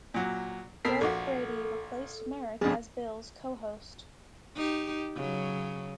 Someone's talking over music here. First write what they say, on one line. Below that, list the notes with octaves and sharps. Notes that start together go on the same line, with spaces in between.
Greg Brady replaced Marek as Bill's co-host.
A#2 F#3
B2 A4 A#4 B6 C7
A#1 F#4 A4
F2 G#2 B2 D4 G#4
D#4 G4
C#3 F#3